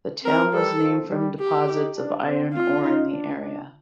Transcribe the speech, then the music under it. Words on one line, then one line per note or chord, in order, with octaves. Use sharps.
The town was named from deposits of iron ore in the area.
C4 A#4
G3 A4
F3
G3
G4
D#4
D4
C4
C4 F4
D#4
D4
D4